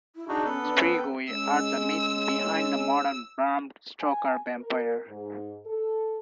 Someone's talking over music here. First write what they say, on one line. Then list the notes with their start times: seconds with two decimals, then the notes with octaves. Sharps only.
Strigoi are the myth behind the modern Bram Stoker vampire.
0.16 E4
0.28 D4 D#4 F#4 G#4
0.45 B3 C#4 A4 B4
0.62 D4
0.74 C#4
0.91 G5
1.30 G#3 C#4 E6
4.00 G#5
4.57 A#4
5.08 G#2
5.66 A4